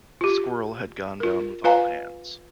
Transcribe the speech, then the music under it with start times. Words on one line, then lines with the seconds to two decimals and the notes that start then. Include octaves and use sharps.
"Squirrel" had gone down with all hands.
0.21 F4 G4
1.20 F4 A#4
1.64 F4 B4 F5 G#5 A#5